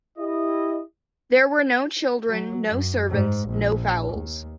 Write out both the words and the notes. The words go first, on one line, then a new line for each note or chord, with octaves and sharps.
There were no children, no servants, no fowls.
E4 G4 D#5
F#3
F#2
G#2
A#1
D#2